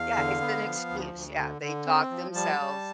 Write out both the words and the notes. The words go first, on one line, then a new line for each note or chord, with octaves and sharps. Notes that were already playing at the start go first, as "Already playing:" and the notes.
Yeah, it's an excuse, yeah. They talk themselves
Already playing: E2 F5
D3
B3
F3
D2
D2
D3
D3
C4
F3
G3 A5
G3